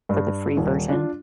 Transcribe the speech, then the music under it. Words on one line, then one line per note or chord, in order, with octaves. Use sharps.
for the free version.
G2
D#1
D4 F4